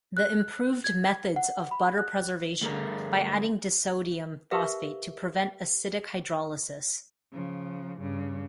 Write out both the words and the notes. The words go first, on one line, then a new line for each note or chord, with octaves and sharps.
The improved methods of butter preservation, by adding disodium phosphate to prevent acidic hydrolysis.
F#6
G#6
F#5
B5
F#6
D2 G2 A3 G#4 A#4 A#5
G4 A#4 B4 E5 F5
C#3 F3
G2 C#3